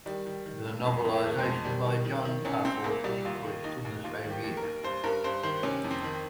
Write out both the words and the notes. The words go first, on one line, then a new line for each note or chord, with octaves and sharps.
The novelisation by John Garforth was published the same year.
D#3 G3
D#3
D#3
G2
F2 G#3
F2
A#3
D#3
G#3
F2
D#3 G3
D#3
D#3
D#3
C2 C#4
C2 C4
C2 A#3
C2 G3
D#2 F4
D#3
D#2 D#4
D#2
D#2 F4
D#3
G4
D#2
A#4
D#2
G2 C5
G2 A#4
G2 C5
D#3 C5
C3 C#4
F2
C4
D#3